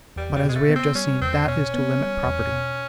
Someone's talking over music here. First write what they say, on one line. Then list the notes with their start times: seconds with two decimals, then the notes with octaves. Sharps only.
But, as we have just seen, that is to limit property.
0.16 E2 G3
0.36 G3
0.43 B2
0.49 G#3
0.56 A3
0.69 B3
0.76 C4
0.95 G3 C#4
1.21 E2 C4
1.47 B2 C#4
1.74 B3
2.00 G3
2.26 E2
2.52 B2